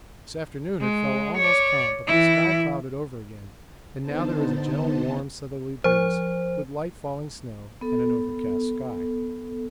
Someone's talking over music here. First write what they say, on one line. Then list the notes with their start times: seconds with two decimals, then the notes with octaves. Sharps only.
This afternoon it fell almost calm, but the sky clouded over again and now there is a gentle warm southerly breeze with light falling snow and an overcast sky.
0.81 G#3
1.38 C#5 D5
2.07 E3 E4
4.01 D3 B3 D#4 C5 A5
5.84 F3 C5
7.81 B3 A4